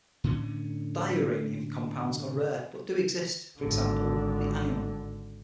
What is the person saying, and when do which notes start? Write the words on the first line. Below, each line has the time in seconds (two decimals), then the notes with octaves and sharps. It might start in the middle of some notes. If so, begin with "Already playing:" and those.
Diuranium compounds are rare, but do exist; for example, the anion.
0.24 A2 D3 C#4
3.60 G#1 D3